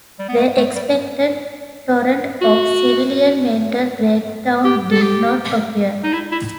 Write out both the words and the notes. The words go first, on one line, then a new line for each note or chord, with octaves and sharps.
The expected torrent of civilian mental breakdown did not occur.
G3
B3
A3
A3
G3
F#4
G4
A4
G4
D#4
E4
E4